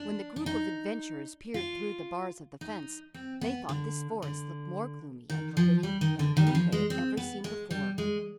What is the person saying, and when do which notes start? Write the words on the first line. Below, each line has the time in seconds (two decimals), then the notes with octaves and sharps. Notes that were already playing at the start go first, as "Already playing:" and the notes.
When the group of adventurers peered through the bars of the fence they thought this forest looked more gloomy and forbidding than any they had ever seen before.
Already playing: D4
0.36 D4
0.46 D#4
1.54 F4
2.61 D#4
3.14 C4
3.41 B3
3.69 D3
4.22 D3
5.30 D#3
5.57 F3
5.83 G3
6.01 D#3
6.19 D3
6.37 D#3
6.47 G3
6.55 F3
6.72 G#3
6.90 C4
7.17 B3
7.44 G#3
7.71 G3
7.98 G#3